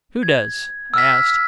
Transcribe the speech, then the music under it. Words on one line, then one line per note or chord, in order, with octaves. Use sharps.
"Who does?" I asked.
G#6
E6 F6 B6